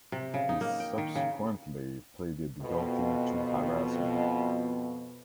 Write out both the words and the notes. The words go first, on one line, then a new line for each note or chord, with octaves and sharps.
He subsequently pleaded guilty to harassment.
C3
C#3
D#4
A#3
G5
D#3
C#3
F2 B2